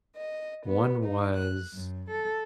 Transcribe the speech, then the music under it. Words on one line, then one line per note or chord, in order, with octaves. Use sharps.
one was,
D#5
B3
D#4
F#6
F#2
A4